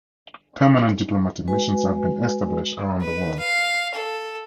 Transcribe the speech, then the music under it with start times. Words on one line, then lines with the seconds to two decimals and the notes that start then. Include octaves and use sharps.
Permanent diplomatic missions have been established around the world.
1.48 G#3 F#4 B4 G#5
3.01 B4
3.39 F5
3.95 A4